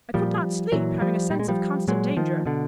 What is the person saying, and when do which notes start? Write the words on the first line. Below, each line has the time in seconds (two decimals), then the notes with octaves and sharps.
I could not sleep, having a sense of constant danger . . . .
0.14 A#2 F3 G3
0.72 A#2 E3 F#3
1.01 F3 G3
1.30 A#2 G3
1.39 G#3
1.48 F3 G3
1.88 A#2 F#3 G#3
2.17 D#3 F3
2.46 B2 D3